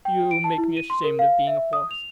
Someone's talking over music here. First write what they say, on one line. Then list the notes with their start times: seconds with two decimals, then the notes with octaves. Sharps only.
You make me ashamed of being a horse.
0.05 G5
0.31 D7
0.44 A5
0.58 E4
0.77 D#7
0.90 C6
1.04 A#4
1.19 F5
1.47 E5
1.73 D#6
1.91 F7